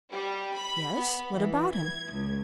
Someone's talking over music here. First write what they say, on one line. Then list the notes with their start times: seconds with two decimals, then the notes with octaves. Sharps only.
"Yes, what about him?"
0.11 G3
0.55 B5
0.95 B3
1.33 E3
1.74 G#6
2.12 C#2